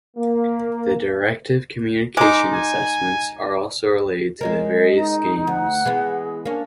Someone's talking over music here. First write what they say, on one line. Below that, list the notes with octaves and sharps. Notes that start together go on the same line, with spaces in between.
The Directive Communication assessments are also related to the various games.
A#3
G#3 D#4 D6
G#5
G#3 C#4 A#4 D#5
D#4
D2 F#5
E3 G#3 B3 G#4
A#3 C#4 D4